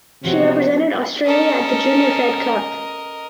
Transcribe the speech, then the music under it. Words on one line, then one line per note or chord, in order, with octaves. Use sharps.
She represented Australia at the Junior Fed Cup.
C3 F3 B3 C4 F#4 C#5
C#4 A4 A#4 D#5